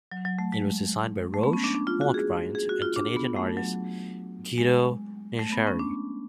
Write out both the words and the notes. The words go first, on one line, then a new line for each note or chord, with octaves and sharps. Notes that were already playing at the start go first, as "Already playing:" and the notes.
It was designed by Roch Montbriant and Canadian artist Guido Nincheri.
F#3
F#3
A3
G#3
A3
B3
C#4
D4
D4
F4
F#4
G#4
G#4
F#4
F4
D4
B3
A3
F#3
G#3
A3
B3
C#4
D4